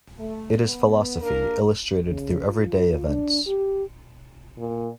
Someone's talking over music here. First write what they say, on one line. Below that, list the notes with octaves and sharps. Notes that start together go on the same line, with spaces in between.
It is philosophy, illustrated through everyday events.
A3
B3
A#3 D4 A#4
C#3
F4
D4
G4
A#2